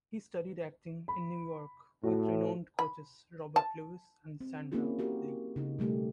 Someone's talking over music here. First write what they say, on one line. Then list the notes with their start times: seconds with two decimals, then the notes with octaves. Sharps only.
He studied acting in New York with renowned coaches Robert Lewis and Sondra Lee.
1.08 B5
2.04 A2 F#4
2.79 B5
3.56 A5
4.41 C4
4.72 A#3 C4 C#4 E4 F#4 G#4
4.99 F#4 G4 A#4
5.56 C#3 D#4
5.79 B2 G3 A3 G4